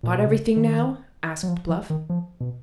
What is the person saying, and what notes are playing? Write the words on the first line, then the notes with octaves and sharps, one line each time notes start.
"Got everything now?" asked Bluff.
A#2
B2
C#3
D#3
F#3
F3
F3
D#3
F3
B2